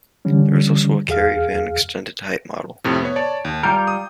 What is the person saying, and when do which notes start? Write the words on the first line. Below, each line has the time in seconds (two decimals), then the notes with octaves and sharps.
There was also a Kary Van extended height model.
0.25 D3 E3 G3 C#4
1.08 E2 G#4 F5 F6
2.84 F2 A2 C3
3.02 B3 C#5
3.16 C#5 D5 A5
3.45 D#2
3.63 G3 F4 A#4 G6
3.87 D#6